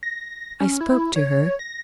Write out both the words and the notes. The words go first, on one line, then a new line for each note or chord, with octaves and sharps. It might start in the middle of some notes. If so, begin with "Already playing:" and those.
I spoke to her.
A#6
C#4
E4
C#5
A#6